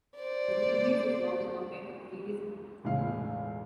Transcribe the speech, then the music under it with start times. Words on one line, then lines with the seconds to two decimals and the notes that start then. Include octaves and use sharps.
The wheelbase is longer compared to the previous model.
0.16 C5 D5
2.84 E1 C#2 A2 F5